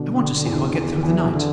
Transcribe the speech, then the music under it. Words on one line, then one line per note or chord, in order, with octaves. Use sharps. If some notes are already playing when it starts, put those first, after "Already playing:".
I want to see how I get through the night.
Already playing: B2 D3 D4
D4
E2
E2
E2 E3
D3